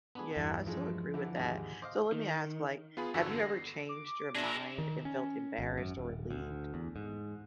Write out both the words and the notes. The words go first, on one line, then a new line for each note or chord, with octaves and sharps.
Yeah, I so agree with that, so, let me ask, like, have you ever changed your mind and felt embarrassed or relieved?
B3 D4 G#4 B5
E2 G2 E3
F3 G#3 A3 D#4
D3 E3 E4
D#2 G#2 G#3
C5 D#5 F5 D6
D#3
B3 F4 G#4 B5
G1 E2 D3 F#4 A4
A#6 C7
D6
D4 G#4 E5 A#6
D#3
C#4
G#1
F#2
D#1
D2
E2
G#2